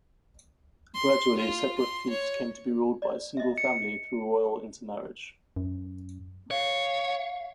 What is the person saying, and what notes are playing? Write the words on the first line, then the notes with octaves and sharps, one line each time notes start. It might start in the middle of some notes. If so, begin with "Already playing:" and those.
Gradually, separate fiefs came to be ruled by a single family through royal intermarriage.
C6
F4
C6
C#5
D5
D#5 E5
C#7
F#2
C#5 F5